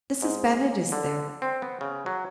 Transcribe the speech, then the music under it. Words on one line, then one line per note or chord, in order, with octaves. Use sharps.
Mrs. Bennett is there.
G#2
D3
C4
B3
C#3
F#3